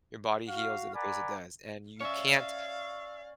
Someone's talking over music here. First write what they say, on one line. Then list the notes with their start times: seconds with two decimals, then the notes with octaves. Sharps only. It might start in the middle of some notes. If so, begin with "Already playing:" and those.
your body heals in the pace it does. And you can't
0.49 F#4 F5
0.94 A#4 D5 F#5 G#5 B5
2.01 C#4 C#5 D5 E5 F5